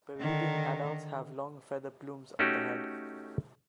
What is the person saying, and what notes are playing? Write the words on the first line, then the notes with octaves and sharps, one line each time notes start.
Breeding adults have long feather plumes on the head.
D3 D#3 D#4
A3 C#4 D#4 F#4 G4